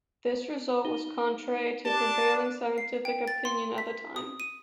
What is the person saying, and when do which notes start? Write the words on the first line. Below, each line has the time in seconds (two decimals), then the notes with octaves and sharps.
This result was contrary to prevailing scientific opinion at the time.
0.85 D#4 G7
1.86 D4 G4 D5 A5
2.78 C7
3.05 G5
3.28 A6
3.45 C6
3.78 B6
4.16 D#6
4.40 D#7